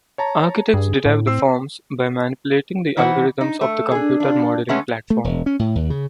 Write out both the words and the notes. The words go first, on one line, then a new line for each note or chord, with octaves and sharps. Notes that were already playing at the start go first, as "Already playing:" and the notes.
Architects derive the forms by manipulating the algorithms of the computer modeling platform.
C#5 A5 A#5
G2 G#4
A2
C4 E6 C7
E3 D#4 C5 F#5
D#4
A3
D4 G#4
D4 F4
C#3 G#3 A3 B3 C#4
A3
E1
C#4
A2
D#2
C#3